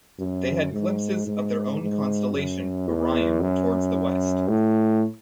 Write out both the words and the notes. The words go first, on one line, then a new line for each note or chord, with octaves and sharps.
They had glimpses of their own constellation, Orion, towards the west.
F#2
G#2
G#2
G#2
F#2
E2
F#2
A2